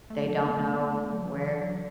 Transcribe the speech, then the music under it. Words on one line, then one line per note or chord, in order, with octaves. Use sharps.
they don't know where,
A3
F#3
A3
B3
A3
B3
A3
A3
F#3
E3
F#3